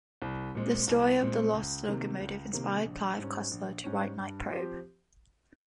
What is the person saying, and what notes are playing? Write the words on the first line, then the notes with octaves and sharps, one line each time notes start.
The story of the lost locomotive inspired Clive Cussler to write Night Probe!
C2
A#2 G#3 C4
C2
A#2 G#3 C4
C#2
C3 D#3 A#3
C#2
C3 D#3 A#3
A#1
G#2 G3 C#4
A#1
G#2 G3 C#4
G2
F3 C4 G4 C5